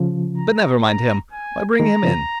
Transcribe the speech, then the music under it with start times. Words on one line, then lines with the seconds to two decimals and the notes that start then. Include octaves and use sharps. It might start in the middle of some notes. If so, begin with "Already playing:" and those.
But never mind him, why bring him in?
Already playing: C#3 F3
0.37 A#5
0.85 A#5
1.32 G#5
1.80 D#3 G#3 A#5
2.03 C#3 F3